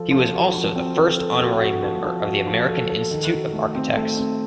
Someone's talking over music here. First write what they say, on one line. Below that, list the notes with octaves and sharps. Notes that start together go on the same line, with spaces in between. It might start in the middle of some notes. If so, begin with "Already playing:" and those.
He was also the first honorary member of the American Institute of Architects.
Already playing: F3 A4
F3
F#4
F3
C4
A4
A4
F#4
F#4
F3
F3
F#4
F3
A4
A4
D#3
F#4
A3
C4
A3
C4